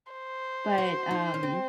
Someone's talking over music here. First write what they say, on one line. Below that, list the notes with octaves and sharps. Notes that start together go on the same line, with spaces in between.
But, um,
C5
F#4
D#4
C#4
C4